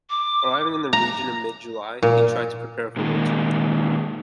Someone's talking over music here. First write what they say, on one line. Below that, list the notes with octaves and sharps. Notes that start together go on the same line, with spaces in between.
Arriving in the region in mid-July, he tried to prepare for winter.
D6
A#5
A#2
A#2 D#3 G#3